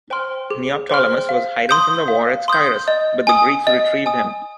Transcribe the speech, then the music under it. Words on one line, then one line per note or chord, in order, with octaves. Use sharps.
Neoptolemus was hiding from the war at Scyrus, but the Greeks retrieved him.
C5 G5 C6 F6
G#4
C5 G5 C6 F6
F5
C6 D#6 G6
F5
C6 D#6 G6
D#5
G#5 D#6
D#5
G#5 D#6